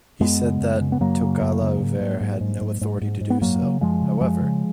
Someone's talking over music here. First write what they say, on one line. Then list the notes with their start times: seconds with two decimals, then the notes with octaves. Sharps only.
He said that Tokalauvere had no authority to do so, however.
0.20 F#2 G#3 B3
0.41 C#3
0.61 F#2
0.81 C#3
0.92 B3
1.00 F#2 F#3 A#3
1.21 C#3
1.41 F#2
1.61 C#3
1.81 G#2
2.01 G#2
2.21 G#2
2.41 G#2
2.61 G#2
2.81 G#2
3.01 G#2
3.21 G#2
3.30 B3
3.41 F#2 F#3 A#3
3.61 C#3
3.81 F#2 F3 G#3
4.01 C#3
4.21 F#2 F3 G#3
4.41 C#3